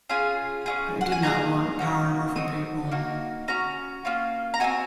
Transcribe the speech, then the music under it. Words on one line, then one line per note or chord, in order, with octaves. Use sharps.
I did not want power over people.
C#4 F4 G#4 G#5
C#4 F4 G#4
F#5
G#5
A#3 F4 G#4 A#5
A#3 C#4 F#4
C4 D#4 F#4 D#6
A#3 D#4 F#4
C#4 F#4 A#5
A#3 C#4 F4
A#5
C4 D#4 F#4 G#5